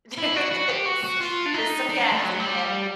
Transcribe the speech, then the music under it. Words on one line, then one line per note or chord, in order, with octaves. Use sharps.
There it is. Just some gas and yet
E4
F#4
F#4
G4
F#4
F#4
F4
D4
D#4
D4
D4
A3
F#3
G3